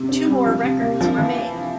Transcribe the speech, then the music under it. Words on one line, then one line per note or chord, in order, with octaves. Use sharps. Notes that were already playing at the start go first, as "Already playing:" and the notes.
Two more records were made.
Already playing: C3
C4
G3
F3
C3
A#3
F3
E3